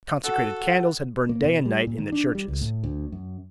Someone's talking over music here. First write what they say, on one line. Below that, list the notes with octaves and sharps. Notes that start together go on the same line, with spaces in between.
Consecrated candles had burned day and night in the churches.
F#4 A4 F#5
A#3
B2
G3
A#2
D#3
D4
G3
C#2
A2
D2
F#2